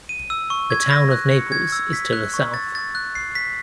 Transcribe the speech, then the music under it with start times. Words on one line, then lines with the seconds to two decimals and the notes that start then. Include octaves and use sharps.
The Town of Naples is to the south.
0.09 D#7
0.30 E6
0.50 C#6
0.70 G#6
0.91 A#6
1.12 F#6
1.31 C#7
1.52 G#6
1.72 E6
1.93 B6
2.13 F#6
2.34 C#6
2.54 A6
2.75 A6
2.95 F#6
3.15 C7
3.35 B6